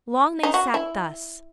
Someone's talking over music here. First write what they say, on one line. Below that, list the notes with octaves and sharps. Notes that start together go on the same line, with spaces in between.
Long they sat thus.
D#4
F#4
E4